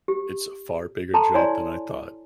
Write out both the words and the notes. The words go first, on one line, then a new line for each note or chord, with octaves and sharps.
It's a far bigger job than I thought.
G4
A4 A5 A#5 C6
E4 C#5 D5 G#5 C6